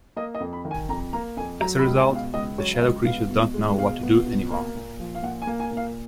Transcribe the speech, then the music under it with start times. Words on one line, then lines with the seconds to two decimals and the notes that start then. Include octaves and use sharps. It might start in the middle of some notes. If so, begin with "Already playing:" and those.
As a result, the shadow creatures don't know what to do anymore.
0.16 A#3 D#5
0.35 D#5
0.40 F2
0.53 B5
0.65 D#3
0.71 G#5
0.89 F2 A#5
1.13 A#3 A#5
1.37 F2 G#5
1.61 F#3 A#5
1.79 B5
1.85 C#2
1.97 G#5
2.09 B2
2.15 F5
2.34 C#2 D#5
2.58 F#3 C#5
2.74 F5
2.82 C#2 D#5
3.05 B3 F5
3.31 B2
3.54 G#3
3.78 B2 F5
4.03 B3
4.26 B2
4.50 A#3
4.75 A#2
5.00 F3
5.15 F5
5.22 A#2 F#5
5.42 G#5
5.47 A#3
5.60 G#5
5.71 A#2
5.77 F5